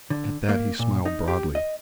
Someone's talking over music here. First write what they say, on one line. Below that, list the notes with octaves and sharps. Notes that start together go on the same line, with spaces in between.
At that he smiled broadly.
D3
A#3
A#2
D#4
G4
D#5